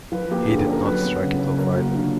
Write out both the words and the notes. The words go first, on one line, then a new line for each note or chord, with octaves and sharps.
He did not strike it off, either.
F3 B4
A#3 G4
D3 G#4
A4
C#4 A#4
F#3 B4
B3
C#3
C#3
F#3 A#4
A#3 F#4
F4
D3